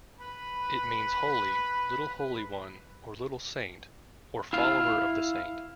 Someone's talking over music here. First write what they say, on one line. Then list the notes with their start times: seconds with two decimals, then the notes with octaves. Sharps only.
It means "holy", "little holy one" or "little saint", or "follower of the saint".
0.18 B4 B5
4.53 E4 F5